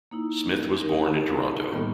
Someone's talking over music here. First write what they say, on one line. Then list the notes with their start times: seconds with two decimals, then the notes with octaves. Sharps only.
Smith was born in Toronto.
0.11 A#3 D#4 E4
0.81 D#4 G4 A#4
1.71 A2 D#3 G3 A#3 B3 F4